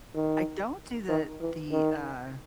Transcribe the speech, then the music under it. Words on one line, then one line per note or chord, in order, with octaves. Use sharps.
I don't do the the, uh,
D#3
D#3
E3
D#3